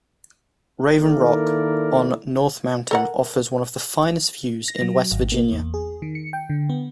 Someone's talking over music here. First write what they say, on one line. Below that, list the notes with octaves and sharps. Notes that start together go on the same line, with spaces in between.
Raven Rock, on North Mountain, offers one of the finest views in West Virginia.
D#3 A#3 E4 A4 A#4 D5
A4 A#4 F#5
A#6
F#3
G#1
A#3
E2
G#4
D#3
C#7
G5
D3
B3